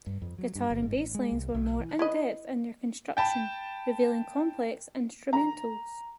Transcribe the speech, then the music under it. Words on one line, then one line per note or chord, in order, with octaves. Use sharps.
Guitar and bass lines were more in-depth in their construction, revealing complex instrumentals.
G2
F2
F#3
G2
G1
G#2
A1
G#3
C2
B1
E3
E4 B4 D#5
G5 A5 B5
A#5